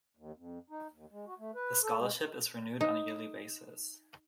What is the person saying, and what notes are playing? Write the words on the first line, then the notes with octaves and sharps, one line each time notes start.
The Scholarship is renewed on a yearly basis.
D#2
F2
D#4
D#2
G#3
F#4
A3
B4
A4
G#3
D#4